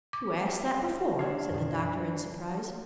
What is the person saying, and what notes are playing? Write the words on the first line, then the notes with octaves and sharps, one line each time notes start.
"You asked that before," said the doctor in surprise.
D6
D4 G4 C#5 F5
F#2 B2 D#3